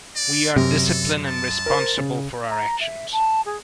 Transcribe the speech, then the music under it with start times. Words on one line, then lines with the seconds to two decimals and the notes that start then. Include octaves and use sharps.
We are discipline and responsible for our actions.
0.16 D5
0.56 F#2 C3 A#4
0.87 A4
1.25 A5
1.66 A#4 C5
1.97 C#3
2.50 A#5
2.81 E5
3.12 A5
3.46 G#4